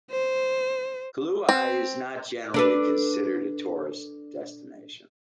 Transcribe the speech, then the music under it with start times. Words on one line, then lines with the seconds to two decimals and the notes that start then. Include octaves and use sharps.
Kahului is not generally considered a tourist destination.
0.11 C5
1.49 C4
2.54 D4 A4 B4